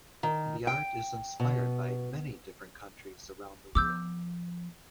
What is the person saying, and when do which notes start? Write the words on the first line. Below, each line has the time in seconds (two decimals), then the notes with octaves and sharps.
The art is inspired by many different countries around the world.
0.23 D#3
0.67 G5
1.40 B2
3.75 F3 B3 D6 E6 G6